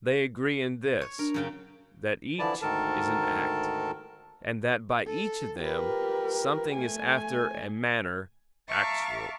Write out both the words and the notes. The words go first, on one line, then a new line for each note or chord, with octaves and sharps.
They agree in this, that each is an act; and that by each of them something is after a manner actual.
C#5
D4 A#4
F#2 C#3 G5
D3 E3 F3 E4 D5 A5
D2 G#2 D#3 A4 A#4 A5
A4
F4 G4 A#4 B4
A3 G#5
E5 F5 A5 A#5 C#6 D6